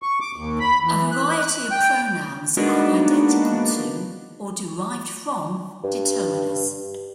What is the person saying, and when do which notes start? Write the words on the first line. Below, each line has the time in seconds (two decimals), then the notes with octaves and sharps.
A variety of pronouns are identical to or derived from determiners.
0.02 C#6
0.21 D6
0.36 D#2
0.60 B5
0.84 E3
1.12 F#6
1.41 F#6
1.71 G5
2.57 G#3 A#3 B3 D4 D#4 F#4
5.84 G2